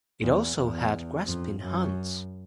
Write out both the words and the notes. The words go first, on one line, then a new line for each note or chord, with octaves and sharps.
It also had grasping hands.
E2
E2
F2
F#2